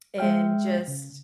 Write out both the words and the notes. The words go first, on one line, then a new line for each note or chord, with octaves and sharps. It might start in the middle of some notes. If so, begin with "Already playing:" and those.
and just
G#3 E5 G5 F6
C#3